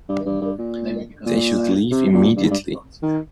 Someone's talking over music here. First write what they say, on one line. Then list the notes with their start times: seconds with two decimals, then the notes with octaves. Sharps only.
They should leave immediately.
0.09 G2
0.26 G2
0.42 G2
0.59 A#2
1.26 A#2
1.91 C3
2.14 A#2
2.37 G2
2.44 G#2
2.51 G2
3.03 D#3